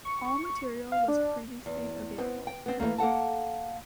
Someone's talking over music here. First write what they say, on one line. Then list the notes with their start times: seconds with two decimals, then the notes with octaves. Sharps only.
All material was previously available.
0.05 C#6
0.92 F5
1.08 D4
1.66 E2
2.18 B3 C4
2.47 G5
2.66 B3 C4
2.80 E3 F#3 A3 A#3
2.98 A#3 A4 F#5 A5